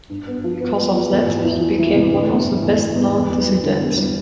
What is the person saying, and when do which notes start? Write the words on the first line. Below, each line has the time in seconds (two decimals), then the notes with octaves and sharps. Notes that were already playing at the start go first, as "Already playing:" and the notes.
Because of that he became one of the best known dissidents.
0.09 G2
0.27 B3
0.44 F3
0.60 B3
0.77 B3
0.94 F3
1.11 E2
1.27 E2
1.44 E3
1.61 E3
1.78 E3
1.95 C3
2.12 D3
2.29 E2
2.45 E2
2.62 E2
2.78 E2
2.96 E2
3.13 E2
3.30 E2
3.46 G3
3.63 D3
3.80 E2
3.97 G3